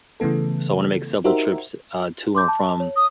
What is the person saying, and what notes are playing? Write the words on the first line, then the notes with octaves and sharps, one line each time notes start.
So, I wanna make several trips, uh, to and from,
C#3 E3 A3 B3 A4
D#4 F#4 G4 A#4 C5 E5
C6 D6 G6
A5
C#5
D#6